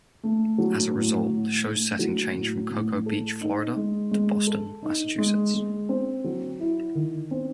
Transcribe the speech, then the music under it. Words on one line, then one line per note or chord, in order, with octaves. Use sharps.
As a result, the show's setting changed from Cocoa Beach, Florida to Boston, Massachusetts.
A3
F#3
A2
A2
A3
F#3
A2
A2
A4
D#4
G#3
G#3
A4
D#4
G#3
G#3
C4
F#3
E4
D#3
C4